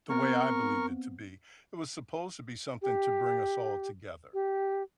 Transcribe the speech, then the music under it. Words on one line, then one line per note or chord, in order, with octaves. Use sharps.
the way I believed it to be, it was supposed to be something to bring us all together,
B3 C4 A#4 C#6
G4
G4